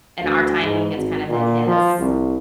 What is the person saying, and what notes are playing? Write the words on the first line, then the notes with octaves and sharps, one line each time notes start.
in our timing, it's kind of in his.
D2
G#2
G#1
A#2
F3
C2